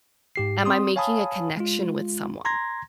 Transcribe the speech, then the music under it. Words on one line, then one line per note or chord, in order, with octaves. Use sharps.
"Am I making a connection with someone?"
G#2 G4 C7
C4 C6 D#6
C#5 F5 G#5 A5 B5 D#6
G#3 F4
A#5 C6 G#6 A#6